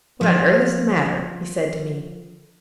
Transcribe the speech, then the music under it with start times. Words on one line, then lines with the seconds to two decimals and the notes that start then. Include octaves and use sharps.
'What on earth is the matter?' he said to me.
0.21 F3 F5